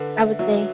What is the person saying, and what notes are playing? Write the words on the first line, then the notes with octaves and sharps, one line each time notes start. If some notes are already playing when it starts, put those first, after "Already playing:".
I would say
Already playing: D3 B4
E5
F#3 E5